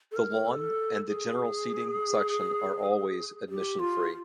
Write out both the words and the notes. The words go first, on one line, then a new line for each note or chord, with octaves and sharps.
The lawn and the general seating section are always admission free.
A4
A#4
A4
G#4
G4
F4